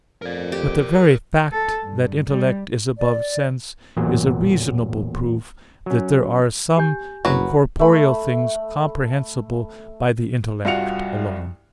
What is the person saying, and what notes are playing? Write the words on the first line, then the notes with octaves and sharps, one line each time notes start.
But the very fact that intellect is above sense is a reasonable proof that there are some incorporeal things comprehensible by the intellect alone.
F2 A#4 D5
G4
A4
G2
G3
D5
A1 E2 A#2 F#3
F#3 C#4
G4 G#5 G6
F#1 F#3 B4
A3 B5
C2 G2 F4 F#4 C#7 F7